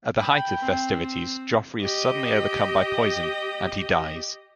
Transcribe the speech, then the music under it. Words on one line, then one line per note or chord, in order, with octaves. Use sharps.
At the height of festivities Joffrey is suddenly overcome by poison, and he dies.
G5 B5
C4
G4 D#5